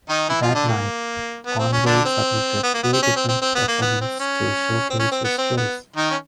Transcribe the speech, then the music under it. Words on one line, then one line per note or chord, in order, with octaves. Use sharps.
That night, Conway submitted three different opponents to showcase his skills.
D#3 D#4
E3 E4
F3 F4
D3 D4
A#3
B3
C4
C#4
D3 D4
C4
B3
A#3
B3
C4
C#4
C4
C4
C4
B3
A#3
B3
C4
C#4
C4
C#4
C4
B3
C4
B3
D#3 D#4
C#4